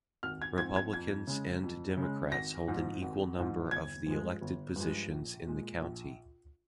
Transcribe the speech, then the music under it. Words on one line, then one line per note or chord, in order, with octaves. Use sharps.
Republicans and Democrats hold an equal number of the elected positions in the county.
G#1 F6
G#6
G#2 F3 C4 G#6
G#6
F2 G#6
C#3 G#3
F2
C#3 G#3
G#1 A#6
G#2 F3
G#1
G#2 F3
G1 G#6
G2 F3 G#3
G1
G2 F3 G#3
A#1
A#2 G#3
A#1